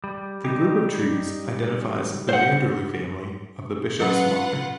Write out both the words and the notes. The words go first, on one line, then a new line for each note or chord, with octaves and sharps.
The group of trees identifies the Vanderloo family of the Bishop's mother.
G3
G3 D#4 G4
C5 F#5
F#3 C#4 F4 B4 F#5